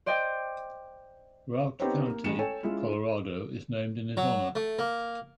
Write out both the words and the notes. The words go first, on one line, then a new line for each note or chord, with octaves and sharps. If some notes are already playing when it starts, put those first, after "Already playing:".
Routt County, Colorado is named in his honor.
C5 D5 D#5 G5
B3 C4 D#4 G4 C5 C#5
A#3
A1 G#3 C#7 E7
A4 C#5 G5 G#5
G#3 C#4 E4 F4
F#3
A3
A#3